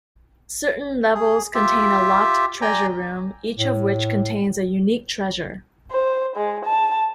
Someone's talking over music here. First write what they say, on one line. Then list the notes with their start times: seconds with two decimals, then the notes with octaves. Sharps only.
Certain levels contain a locked treasure room, each of which contains a unique treasure.
1.14 G#4
1.55 F4 G4 E5
2.62 D5 G5 G#5 A#5
3.57 A2
5.91 C5
6.36 G#3
6.65 A5